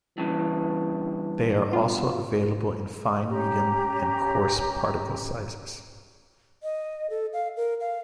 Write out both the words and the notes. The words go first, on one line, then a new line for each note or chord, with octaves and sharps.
They are also available in fine, medium and coarse particle sizes.
G2 C#3 E3
B3 F4 F#4
C#4 G4 A#5
D#5
A4
F5
A#4
F5